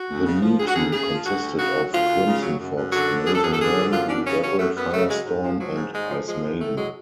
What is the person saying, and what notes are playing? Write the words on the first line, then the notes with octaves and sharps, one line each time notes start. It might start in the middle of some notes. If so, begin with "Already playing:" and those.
The new team consisted of Crimson Fox, Amazing-Man, Blue Devil, Firestorm, and Icemaiden.
Already playing: F#4
D2
C#3
F3
D2 G#4
F#4
D2 G#4
C#3 G#4
F3
D2 F#4
D2
C#3 F#4
F#3
D2 F4
D2
C#3
F#3
F#2
F#2
D3 F#4
F3
F#2 G#4
A4
F#2 G#4
A4
D3 G#4
F3
F#2 F4
C#4
F#2 D4
C#3 C#4
F#3 C#4
F#2 A3
F#2 B3
C#3 A3
F#3 G#3
G#2
F3
F3 F#3
G#2
G#2 G#3
F3
F3 G#3
G#2
A2 A3
F#3 G#3